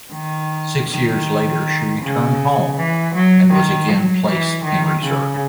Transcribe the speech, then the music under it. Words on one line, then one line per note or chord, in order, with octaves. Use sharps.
Six years later she returned home and was again placed in reserve.
D#3
D#3
C#3
E3
F#3
D#3
F#3
E3
D#3
C#3